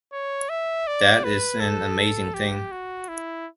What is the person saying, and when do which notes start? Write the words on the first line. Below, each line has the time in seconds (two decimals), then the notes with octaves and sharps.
That is an amazing thing.
0.13 C#5
0.49 E5
0.87 D5
1.24 B4
1.60 A4
2.34 G4
2.72 F#4
3.09 E4